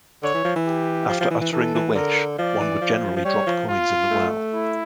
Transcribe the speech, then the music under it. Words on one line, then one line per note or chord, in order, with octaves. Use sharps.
After uttering the wish, one would generally drop coins in the well.
D3 C#5
E3
F3
E3
G4
F3
F3
E3
E3
E3 A4
E3
D3 A#4
F3 D5
E3
F3
F3
G3 C#5
F3
F4
A3
E4